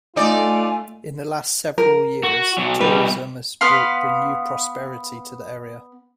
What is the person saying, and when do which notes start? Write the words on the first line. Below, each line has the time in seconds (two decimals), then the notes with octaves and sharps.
In the last several years, tourism has brought renewed prosperity to the area.
0.16 A3 D#4 F4 D5 G#5
1.78 A#4
2.23 F#4
2.58 B2 F#3
2.80 B2 G3 B4
3.61 B3 B4 F5 C6